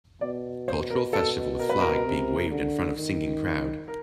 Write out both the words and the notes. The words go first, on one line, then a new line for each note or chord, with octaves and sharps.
Cultural festival with flag being waved in front of singing crowd.
B2 D5
C5
A#4
A4
A#4
B4
A#4
C3
D3
D#3
A#4